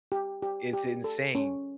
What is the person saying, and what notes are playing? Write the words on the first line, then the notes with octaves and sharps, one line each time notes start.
It's insane
G4
G4
G4
A4
C#4